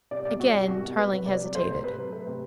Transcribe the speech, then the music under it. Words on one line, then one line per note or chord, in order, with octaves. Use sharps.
Again Tarling hesitated.
C2 D5
B2 D5
G3 F#4
C2 G4
C2 F#4
B2
G3 B4
C2
C3 D5
F#3
A3 C5
C3
C3 B4
F#3
A3 B4
C3